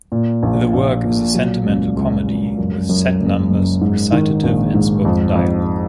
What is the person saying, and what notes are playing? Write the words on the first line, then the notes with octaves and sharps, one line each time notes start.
The work is a sentimental comedy with set numbers, recitative and spoken dialog.
A#2
A#1
A#1
A#2
F#3
C#2
C#2
C#2
F#2
F#2
F#1
F#1
G#2
D#3
A#1
G#2
F2
F2